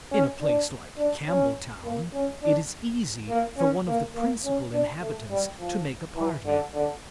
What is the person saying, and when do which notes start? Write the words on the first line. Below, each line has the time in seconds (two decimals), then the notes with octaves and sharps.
In a place like Campbelltown, it is easy for one of the principal inhabitants to make a party.
0.11 C#4
0.41 D4
0.97 D4
1.27 C#4
1.84 A#3
2.13 C#4
2.42 D4
3.29 A#3
3.57 C#4
3.87 A#3
4.15 A#3
4.44 C#4
4.72 D4
5.01 A3
5.30 G3
5.58 F3
6.16 E3
6.46 D3
6.74 D3